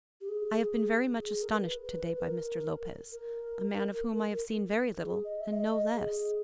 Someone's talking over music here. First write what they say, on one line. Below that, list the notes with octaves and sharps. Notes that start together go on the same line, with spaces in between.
I have been very much astonished to-day by Mr. Lopez,--a man of whom I have seen very little and know less.
G4
G#4
G#4
A#4
B4
B4
A#4
A#4
G#4
D#5
E5
D#5
D#5
G#4